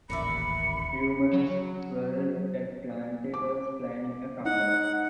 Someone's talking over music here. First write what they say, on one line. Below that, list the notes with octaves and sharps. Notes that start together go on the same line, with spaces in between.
Rumours swirled that Plante was planning a comeback.
D#1 A1 D#2 A#4 D5 E5 B5 C#7
F#3
D6
D#4 F#5